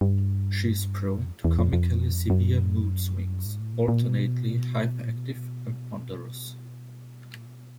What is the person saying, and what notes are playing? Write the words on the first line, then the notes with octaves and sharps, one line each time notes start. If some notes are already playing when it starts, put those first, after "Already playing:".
She is prone to comically severe mood swings, alternately hyperactive and ponderous.
G2
F2
E2
F2
F2
F#2
G#2
A2
A#2
A#2
B2
A#2
B2
A#2
B2